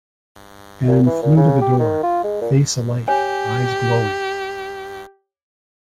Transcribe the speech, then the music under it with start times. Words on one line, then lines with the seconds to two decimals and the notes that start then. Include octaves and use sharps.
Ann flew to the door, face alight, eyes glowing.
0.88 A#2
1.06 E3
1.22 A#2
1.37 C#3
1.61 G4
1.79 D#3
2.03 F4
2.24 G#3
2.42 A#2
3.08 G4 C#5 G#5